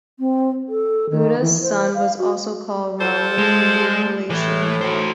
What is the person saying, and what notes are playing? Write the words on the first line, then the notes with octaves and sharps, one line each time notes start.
Buddha's son was also called Rahul, meaning "relation".
C4
A4
D#3
E3
C5
F5
F#4
F3 A4 C5
G#3
A2 E3
F#4 C5